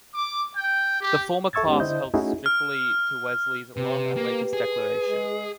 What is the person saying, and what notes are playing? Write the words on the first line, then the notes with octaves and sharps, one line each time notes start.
The former class held strictly to Wesley's long and latest declaration.
D6
G5
G4
A4 E5 C#6 E6 G#6 A6
G#3 B3 C#4 D#4 G4
D3 D4 E4 C5 D#5 G6
A3 C#4 D#4 E4 F#4 G#4
F6
C3 G4 B4
A#3
G#4
G#3